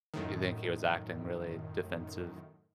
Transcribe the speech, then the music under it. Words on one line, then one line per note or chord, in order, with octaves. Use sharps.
Do you think he was acting really defensive?
F#2 A2 D#3